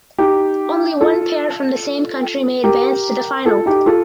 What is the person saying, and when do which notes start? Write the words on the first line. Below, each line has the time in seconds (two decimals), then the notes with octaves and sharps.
Only one pair from the same country may advance to the final.
0.18 D#4 G4
1.01 F4 A4
2.64 G4 A#4
3.46 F4 A4
3.66 D#4 G4
3.86 F4 A4